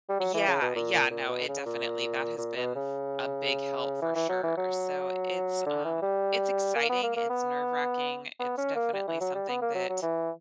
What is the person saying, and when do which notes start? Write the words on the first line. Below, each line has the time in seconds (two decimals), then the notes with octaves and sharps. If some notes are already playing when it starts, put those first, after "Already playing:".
Yeah, yeah, no, it definitely that has been a big help for sure, so it's um, it's exciting, it's nerve racking, it's definitely something that,
0.09 G3
0.20 F#3
0.34 E3
0.48 C#3
0.61 B2
0.75 A#2
0.94 A#2
1.11 A#2
1.29 B2
1.48 C#3
1.66 A#2
2.38 A#2
2.56 B2
2.76 C#3
4.02 E3
4.15 E3
4.29 F#3
4.43 E3
4.57 F#3
5.66 D3
5.85 E3
6.02 G3
6.76 A#3
6.90 B3
7.03 A#3
7.16 A#3
7.30 B3
8.40 B3
8.58 C#4
8.76 A#3
8.93 G3
9.08 E3
9.21 F#3
9.35 G3
9.49 B3
9.62 A#3
9.75 F#3
9.89 F#3
10.02 E3